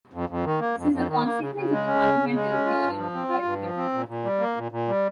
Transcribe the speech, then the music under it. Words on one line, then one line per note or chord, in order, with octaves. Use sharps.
This is a consequence of the fundamental theorem of arithmetic.
F2
F2
D#3
A#3
F2
F2
D#3
A#3
C#3
C#3
G#3
C#4
C#3
C#3
G#3
C#4
F4
G2
F3
C4
F4
G2
F3
C4
A#2
A#2
G3
A#3
A#2
A#2
G3